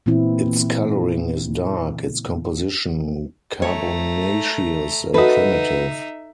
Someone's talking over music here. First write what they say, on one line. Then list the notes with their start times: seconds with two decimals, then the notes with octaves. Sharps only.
Its coloring is dark, its composition carbonaceous and primitive.
0.06 A#2 E3 B3 C4 E4
3.62 A3 C#5 A#5
5.14 D#4 F#4 A4 B4 D#5 E5